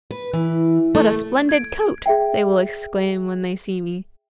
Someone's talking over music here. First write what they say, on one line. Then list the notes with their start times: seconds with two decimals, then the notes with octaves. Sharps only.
"What a splendid coat!" they will exclaim when they see me.
0.11 B4
0.34 E3
0.95 A3
1.49 G#6 D7
2.06 G#4 E5 G5